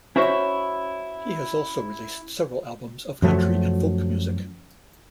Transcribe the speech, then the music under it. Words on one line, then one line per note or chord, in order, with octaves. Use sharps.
He has also released several albums of country and folk music.
C#4 E4 F#4 C5 C#5 E5
F#2 F3 F#3 A3